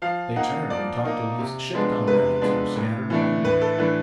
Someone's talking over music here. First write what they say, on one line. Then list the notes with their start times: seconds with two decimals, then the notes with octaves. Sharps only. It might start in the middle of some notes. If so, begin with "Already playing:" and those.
They turned and talked to Leif's ship-comrades who were scattered among them.
0.02 F3 F5
0.36 A#3 D#4 F#5
0.70 F3 D5
1.05 A#3 D#4
1.39 C3
1.73 F3 G#3 B3 D4
2.07 C3 B4
2.41 F3 G#3 B3 D4
2.76 A2
3.10 E3 A3 D4
3.44 A2 B4
3.62 A4
3.78 E3 A3 D4 B4